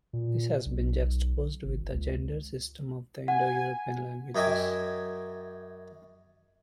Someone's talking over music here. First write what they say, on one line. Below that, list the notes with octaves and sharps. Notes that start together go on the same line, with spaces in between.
This has been juxtaposed with the gender system of the Indo-European languages.
A#2
B1
G#1
C#2
F#5 G#5
F#2 D#5 E5 G5 G#5 D6